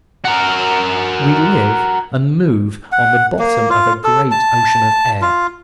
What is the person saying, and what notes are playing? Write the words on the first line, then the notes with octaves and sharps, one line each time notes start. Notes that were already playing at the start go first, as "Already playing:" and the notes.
We live and move on the bottom of a great ocean of air.
F#4 A#4
F#5
A#3
F4
A4
A5
F4